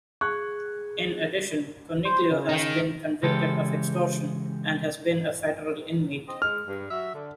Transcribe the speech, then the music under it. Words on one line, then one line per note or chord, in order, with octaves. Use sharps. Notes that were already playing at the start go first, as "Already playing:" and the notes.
In addition, Coniglio has been convicted of extortion and has been a federal inmate.
G#4 C#6 F#6
C5
C#3
D#3 D#4
C#3 E3 G#3 G4 A4
C4 D#5
G#3 F6
G2
F#3 F#4 E5
D3